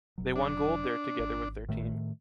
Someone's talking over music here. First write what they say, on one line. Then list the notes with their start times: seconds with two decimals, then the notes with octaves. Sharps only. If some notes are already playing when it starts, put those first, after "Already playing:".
They won gold there together with their team.
0.18 F1 B2 F#3
0.36 D4
1.19 G#1
1.69 A2 D#3 A3